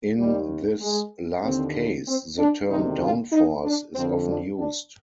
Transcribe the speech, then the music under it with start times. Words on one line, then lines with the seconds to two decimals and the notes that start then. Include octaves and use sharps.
In this last case, the term downforce is often used.
0.18 D#2 D#3 G3
0.81 G#3
1.44 D#2 D3 C4
2.07 C4
2.39 D4
2.70 D2 C3 D#3 D#4
3.02 F4
3.32 D#4
3.64 D4
3.95 F2 D3 C4
4.28 D4
4.58 D4